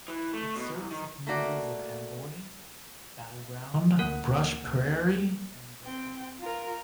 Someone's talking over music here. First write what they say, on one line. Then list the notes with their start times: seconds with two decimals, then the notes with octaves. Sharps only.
It serves the communities of Amboy, Battle Ground, Brush Prairie and Yacolt.
0.08 E3
0.33 A3
0.56 B2
0.74 C2
0.91 D#3
1.27 A3 A#3 F#4 D5
3.99 D2 A#3 A#4 F#5 F#6
5.84 C4 G5
6.39 F4 A#4